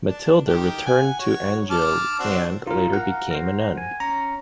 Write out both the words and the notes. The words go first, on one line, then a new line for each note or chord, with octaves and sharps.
Matilda returned to Anjou and later became a nun.
D4 A5
D#3 G4 G5
F#5 G#5
F#4 C#5
A5 D6 F6
C4 D4 F#4
D#4 F4 A#4
F5 F#5 A#5
A#4 C5
G#5
C#4 A#5